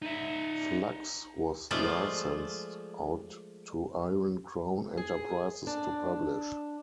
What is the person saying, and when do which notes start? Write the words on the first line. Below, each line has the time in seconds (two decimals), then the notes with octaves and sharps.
Fluxx was licensed out to Iron Crown Enterprises to publish.
0.02 D#4 E5
1.71 F3 G#3 A3 F4 D5
4.97 G#4
5.67 D4